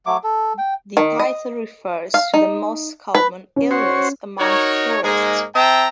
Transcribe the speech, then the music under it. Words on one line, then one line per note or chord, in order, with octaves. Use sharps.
The title refers to the most common illness among tourists.
F#3 A3 D6
A4
G5
D#3
D#5
F5
D#4
B4
C#4
F#4 C5 C#5
D#4 F#4 A#4 C#5
G#2 G#3 A#3 D#4 G#4
C4 E5 G5 A5 A#5